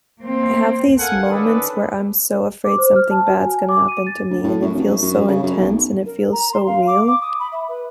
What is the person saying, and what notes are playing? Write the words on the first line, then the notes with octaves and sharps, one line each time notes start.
I have these moments where I'm so afraid something bad's gonna happen to me and it feels so intense and it feels so real
A#3 C4
A4 A#4 F5 F#5 G#5
D#3 C#4 D4 G#4 A4 B4
D6
C5
F6
A5
F#4
G#5
D6
D#7
A6
D2
A2
F#2
F1
F#2
F#2
C#3
F#2
B1
A#4
A#5
C6
F5
D6
D6
D#6
B5
E5
B4